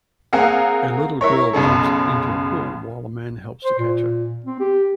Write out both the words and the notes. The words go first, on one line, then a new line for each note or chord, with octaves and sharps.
A little girl jumps into a pool while a man helps to catch her.
A#3 C4 G#4 A#4 F5 F#5
E4 A#4 C#5
B1 F#2 C#3 A4
C5
A#2
C4
G4